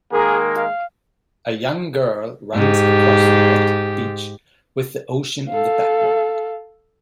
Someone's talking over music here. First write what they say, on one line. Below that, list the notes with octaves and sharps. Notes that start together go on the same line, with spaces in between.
A young girl runs across a wet beach with the ocean in the background.
D#3 G#3 A#3 G#4 A#4
F5
G#2 G4
A4 F5